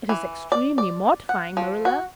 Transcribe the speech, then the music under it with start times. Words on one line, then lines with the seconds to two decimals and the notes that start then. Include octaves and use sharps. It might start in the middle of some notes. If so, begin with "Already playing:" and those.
It is extremely mortifying, Marilla.
0.09 E3
0.52 D5
0.78 D5
1.29 F#5
1.57 F3
1.85 F#4